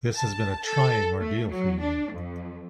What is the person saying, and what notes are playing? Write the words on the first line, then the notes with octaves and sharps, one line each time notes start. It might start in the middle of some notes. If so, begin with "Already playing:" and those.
This has been a trying ordeal for you.
A5
A4
A3
F#3
D4
F2